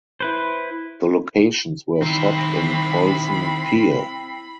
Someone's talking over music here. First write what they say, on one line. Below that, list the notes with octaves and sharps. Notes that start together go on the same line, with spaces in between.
The locations were shot in Polson Pier.
E4 B4 C5
D#3 C4 E4 B5